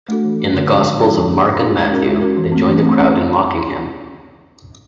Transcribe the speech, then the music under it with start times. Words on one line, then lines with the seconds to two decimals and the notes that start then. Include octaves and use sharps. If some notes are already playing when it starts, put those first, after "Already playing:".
In the Gospels of Mark and Matthew, they join the crowd in mocking him.
0.09 A3 D4 F#4 A4
0.24 E3
0.39 A3 D4 F#4 A4
0.54 D3
0.69 F3 G#3 C#4 F#4
0.85 D3
1.00 F3 G#3 C#4 F#4
1.15 F3
1.30 A#3 D#4 G#4
1.46 F3
1.61 A#3 D#4 G#4
1.76 G#3
1.91 C#4 F#4 A#4
2.07 G#3
2.21 C#4 F#4 A#4
2.37 E3
2.52 A3 C4
2.67 E3
2.82 A3 C4
2.98 C#4